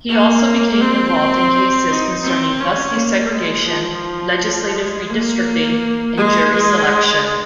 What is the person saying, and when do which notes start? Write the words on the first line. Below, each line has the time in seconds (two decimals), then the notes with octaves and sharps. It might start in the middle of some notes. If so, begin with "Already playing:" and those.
He also became involved in cases concerning bus desegregation, legislative redistricting and jury selection.
0.09 A#3
0.81 C4
1.89 D#4
2.24 C4
2.60 C#4
2.96 A#3
3.31 G#3
3.67 F3
4.75 G#3
5.11 A#3
6.18 G#3
6.54 G#3